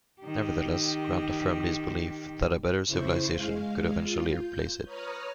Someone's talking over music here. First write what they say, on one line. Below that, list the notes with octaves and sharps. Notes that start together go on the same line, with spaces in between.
Nevertheless, Grant affirmed his belief that a better civilization could eventually replace it.
D#3 G4
C#3 E4 C5 C#6
G#3 F5
F4
G6
B4 C#5 A#5 D#6 F6